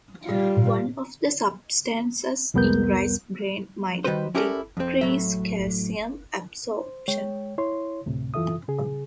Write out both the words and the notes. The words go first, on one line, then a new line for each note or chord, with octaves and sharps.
One of the substances in rice bran might decrease calcium absorption.
G3 F4
C2 F2 G3 B3 A#4 G6
D#3 E3 G3 F#4 B4 C5
C#4 E4 G4 A4 A#4 D5
F2 C4
A2 F#3 E5
C5
G#3 C#5 G5
E4 C#5 C6
D2 A2 C3
F#2 E3 F4 A4 E5 D#6
C#3 G#4